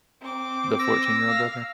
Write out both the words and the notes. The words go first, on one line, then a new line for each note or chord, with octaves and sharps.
the fourteen-year-old brother?
C4 D6
E6 A#6
F5